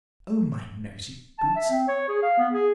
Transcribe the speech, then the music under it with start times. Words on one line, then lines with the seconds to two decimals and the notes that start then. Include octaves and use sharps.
O my noisy boots!
1.39 A5
1.56 E5
1.70 C4
1.88 C#5
2.09 G#4
2.22 F5
2.38 B3
2.53 G#4